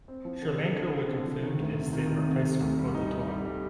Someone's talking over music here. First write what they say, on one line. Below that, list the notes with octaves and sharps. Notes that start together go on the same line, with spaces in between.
Sri Lanka were confirmed as their replacement for the tour.
C4
F3
D3
F3
D3
C4
D3
F3
D#3
D2
C3
D#3
D#3
C3
C3
D2
G3
D#4
D#4
G3
G3